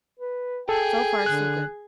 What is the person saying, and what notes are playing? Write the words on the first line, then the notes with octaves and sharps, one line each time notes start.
So far, so good.
B4
G#4 A4 G5
D3 F#6